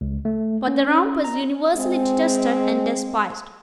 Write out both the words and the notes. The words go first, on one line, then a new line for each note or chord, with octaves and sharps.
But the Rump was universally detested and despised.
C#2
A3
C#4
A#5
G#3 C4